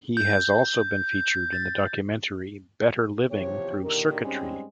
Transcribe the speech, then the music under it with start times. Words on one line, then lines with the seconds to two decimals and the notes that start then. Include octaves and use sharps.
He has also been featured in the documentary Better Living Through Circuitry.
0.17 G6
1.52 A6
3.30 E2 C3 F3 G4 C#5
3.83 A#2 D3 D#3 G4 A#4
4.22 G#2 G3 G#3 C4 C#4